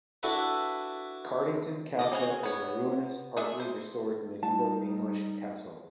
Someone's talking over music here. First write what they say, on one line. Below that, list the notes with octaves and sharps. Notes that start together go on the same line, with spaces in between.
Cartington Castle is a ruinous, partly restored medieval English castle.
D4 E4 F#4 A4 B4
D5 D#5
C4 C#4 F#4 G#4
B3 C#5
A3 D4 G#4 E5
C5
G3 D#4 A5